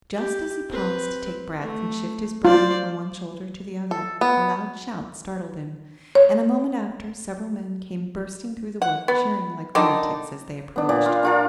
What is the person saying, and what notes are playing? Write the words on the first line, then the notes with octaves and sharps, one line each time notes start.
Just as he paused to take breath and shift his burden from one shoulder to the other, a loud shout startled him, and a moment after, several men came bursting through the wood, cheering like lunatics as they approached.
G4
C4 B4
A3
F4 C5 D5
A4
B3
C#5
F#5
B3
D3 D#3 D#4 D5
B3 D4
A#2 D5
F4
D4 F4 A#4